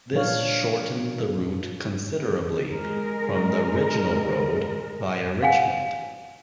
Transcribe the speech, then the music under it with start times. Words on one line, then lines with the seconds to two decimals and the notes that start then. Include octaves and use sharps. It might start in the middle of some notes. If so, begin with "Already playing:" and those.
This shortened the route considerably from the original road via Richmond.
0.12 A#2 F3 G3 D4 C#5 F5
2.72 G#3 A#4
5.43 F5 F#5 G#5